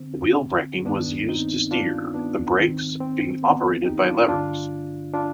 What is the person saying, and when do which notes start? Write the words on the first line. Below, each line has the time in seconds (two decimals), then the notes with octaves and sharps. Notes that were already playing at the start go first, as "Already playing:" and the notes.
Wheel braking was used to steer, the brakes being operated by levers.
Already playing: D3 C4
0.85 G2 D#3 B3 D4
1.29 C4 D#4
1.71 D4 F4
2.14 B3 D4
2.57 G#2 D#3 C4
3.00 C4
3.43 B3
3.85 D#4 G4
4.07 D4 F4
4.28 G2 D3 D4 F4
5.14 D4 F4